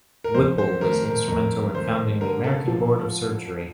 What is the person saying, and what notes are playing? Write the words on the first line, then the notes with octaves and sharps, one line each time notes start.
Whipple was instrumental in founding the American Board of Surgery.
A#4
F2 C5
C5
D#3 A3 A#4
A#4
F2 A#4
D#3 A3 C5
D3 A#4
A4
F3